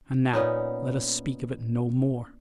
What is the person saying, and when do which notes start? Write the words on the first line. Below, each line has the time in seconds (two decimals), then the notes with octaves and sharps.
And now let us speak of it no more.
0.33 A#2 B3 C#4 D#4